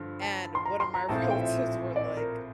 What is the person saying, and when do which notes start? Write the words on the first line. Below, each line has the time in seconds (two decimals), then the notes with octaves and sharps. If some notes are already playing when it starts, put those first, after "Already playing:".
and one of my relatives were like,
Already playing: G2 D3 F3
0.22 A5
0.55 C6
0.65 A#5
0.80 C6
0.94 A#5
1.08 A#1 A2 F3 C4 A5
1.19 F5
1.30 G5
1.41 E5
1.96 D5
2.17 A#4